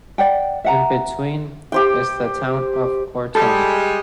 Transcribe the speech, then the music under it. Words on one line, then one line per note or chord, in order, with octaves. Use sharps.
In between is the town of Ortona.
D5 F#5 G5
E5 F#5 A#5
G4 C5 G5
G3 G#3 G#4 A4